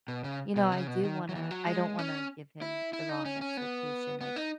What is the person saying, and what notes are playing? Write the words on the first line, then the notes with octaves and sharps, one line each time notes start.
you know, I do wanna I don't wanna give him the wrong expectation, like,
B2
C#3
B2
C#3
B2
D#3
F#3
E3
F#3
G#3
C#4
E4
E4
D#4
C#4
C#4
B3
B3
D#4